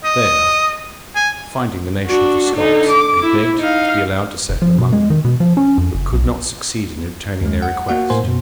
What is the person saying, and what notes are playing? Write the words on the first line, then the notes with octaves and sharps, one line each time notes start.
There, finding the nation of the Scots, they begged to be allowed to settle among them, but could not succeed in obtaining their request.
D#5
G#5
D4 F#4
D3 D#4
D6
E4
D#4 F5
F1
F3
B2
G#3
D#3
B2
F3
C#4
F2
F#1
B1
D#2 G#3
F#5
A#3 F#4 F#5
A2 A#3 A#4 C5 G#5 C6
F#2 B2